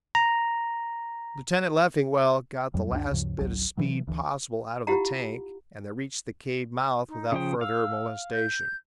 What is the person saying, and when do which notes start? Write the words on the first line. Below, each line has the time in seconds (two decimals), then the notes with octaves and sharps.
Lieutenant Leffingwell got the last bit of speed possible out of the tank and they reached the cave mouth without further molestation.
0.15 A#5
2.74 F2 F#3 G3
2.91 C#2 F#2 A3 D4
3.11 D2 G2 C#3 F3
3.38 G#1 C#2 F#3
3.77 C3 E3 F#3
4.07 D2 E3
4.87 E4 F4 G4 F5 F#5 A#5
7.09 D#4
7.32 C#3 F3 G5 D#6
7.61 F5 E6
8.33 G6